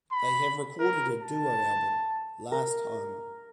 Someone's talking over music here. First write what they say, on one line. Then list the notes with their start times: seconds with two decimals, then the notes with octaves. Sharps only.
They have recorded a duo album, "Last Home".
0.12 B5
0.80 A#4
1.21 A5
2.52 A#4